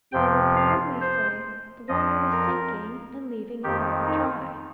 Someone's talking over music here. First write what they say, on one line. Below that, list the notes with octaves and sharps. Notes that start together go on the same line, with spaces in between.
They would probably say, "The water is sinking and leaving the ball dry."
F2 C3 F3 G5
F5
C5
F2 F3 D#5
A#4
F2 D#3 G4
D#4